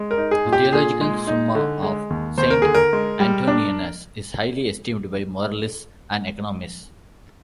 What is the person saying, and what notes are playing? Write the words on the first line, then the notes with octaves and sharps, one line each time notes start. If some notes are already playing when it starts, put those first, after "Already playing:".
The theological summa of Saint Antoninus is highly esteemed by moralists and economists.
Already playing: G#3
A#4
D#4
G#4
A#2
G4
A#2 G#4
G#3
D#4
D3
G#3
D#2
D#2 C5
A#4
D3 G#4
A#4
G#3
G3
D4